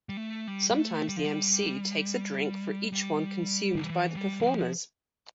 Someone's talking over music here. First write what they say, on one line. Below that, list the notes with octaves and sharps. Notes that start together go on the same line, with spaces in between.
Sometimes the emcee takes a drink for each one consumed by the performers.
G3
A3
G3
G3
A3
G3
F3
G3
G3
D3
E3
G3
E3
F3